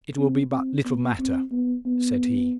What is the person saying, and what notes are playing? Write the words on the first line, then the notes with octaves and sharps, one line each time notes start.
'It will be but little matter,' said he.
C4
C4
B3
C4
B3
B3